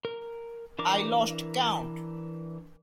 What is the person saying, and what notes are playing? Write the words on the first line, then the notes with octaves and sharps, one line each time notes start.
I lost count.
A#4
E3 D4 A#4 D6